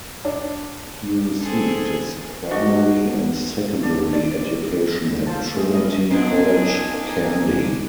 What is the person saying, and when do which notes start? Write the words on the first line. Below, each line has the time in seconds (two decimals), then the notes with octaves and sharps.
He received his primary and secondary education at Trinity College, Kandy.
0.25 D4
1.40 C4 G#4 A4
2.51 D4 F#4 D#5
3.83 D4
4.13 D5
5.27 F4 A4 C5 A5
5.54 G#3 A3 G#4
5.71 A3 C#4 E4 G#4 D#5
6.10 A#2 B3 D4 D#4 F4 C5 G#5